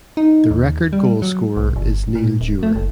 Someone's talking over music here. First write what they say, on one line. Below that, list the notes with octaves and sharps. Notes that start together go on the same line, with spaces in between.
The record goalscorer is Neil Dewar.
D#4
D#2
G3
F#3
B1
G1
A#2
D1
A3
F#1